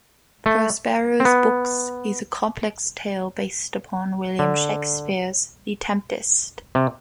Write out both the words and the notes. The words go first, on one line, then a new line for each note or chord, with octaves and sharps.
"Prospero's Books" is a complex tale based upon William Shakespeare's "The Tempest".
A3
C4
B3
D3
C3